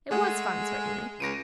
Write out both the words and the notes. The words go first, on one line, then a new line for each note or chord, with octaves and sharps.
It was fun, certainly.
G#3 A3 G#4 F#5
C#2 A#6 D7 D#7